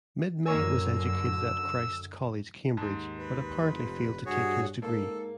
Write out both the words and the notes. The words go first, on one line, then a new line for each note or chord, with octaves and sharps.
Mildmay was educated at Christ's College, Cambridge, but apparently failed to take his degree.
F#2 D3 A#3 C#5 G#5 E6
D#2 G#2 A5
B4
F1
G2 F#4 G#4 C#5
G#2 A#3 A4